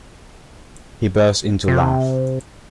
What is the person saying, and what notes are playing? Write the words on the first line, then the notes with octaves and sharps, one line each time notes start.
He burst into a laugh.
C3